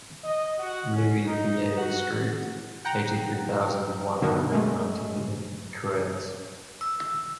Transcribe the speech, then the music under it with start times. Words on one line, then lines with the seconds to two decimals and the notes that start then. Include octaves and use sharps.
Louis Fille street, eighty-three thousand one hundred and ninety in Cuers.
0.23 D#5
0.57 F#4
0.90 C#4
1.25 D#4
1.76 F#4
2.85 F#5 G5 A#5
4.22 B2 D3 D#3 B3 F#4 A#4
4.52 G#3 A3
6.81 E6